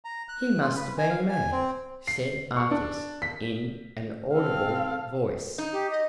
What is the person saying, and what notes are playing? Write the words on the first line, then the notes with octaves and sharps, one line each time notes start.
"He must have been mad," said Artis, in an audible voice.
A#5
F#6
F4
B4
G#5
F5
G#5
C4
C7
C#6
D4
B6
C4 A4 F5
D#4
G4
D#5